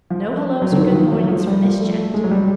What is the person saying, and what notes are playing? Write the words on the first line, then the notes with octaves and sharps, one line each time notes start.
No hellos or good mornings for this gent!
F3
F#3
D3
D#3
F#3
F3
F#3
F3
G3
F3
A3
A3
G#3
F#3
G3